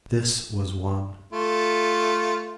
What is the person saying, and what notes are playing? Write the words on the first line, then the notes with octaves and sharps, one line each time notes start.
This was one.
A3 F4